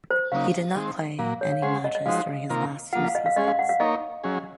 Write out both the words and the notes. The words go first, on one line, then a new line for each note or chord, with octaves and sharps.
He did not play any matches during his last two seasons.
C5
C#3 F#3 A#3 D#4 F5
D#3 G#3 C4
A#2 F#3 A#3 F5
C#5
F5
G#3 C#4 G#4 C5 F#5
D#5
D#5
F3 G#3 D#4 F#4 C5 F5
C3 D#3 A#3 F4 A#4
F3 A#3 F4 F#5
F5
D#5
F5
G#3 C#4 G#4 D#5
F5
F#5
F5
A#3 D#4 A#4 C#5 D#5
F#3 C#4 G#4